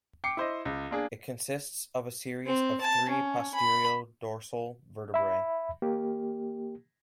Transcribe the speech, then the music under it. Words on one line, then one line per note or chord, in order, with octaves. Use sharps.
It consists of a series of three posterior dorsal vertebrae.
G5 D6 C7 C#7
E4 C5 D#5
C#2
A#3 D4 G#4
C4
A5
C#4
B5
E5 B5
A#3 G4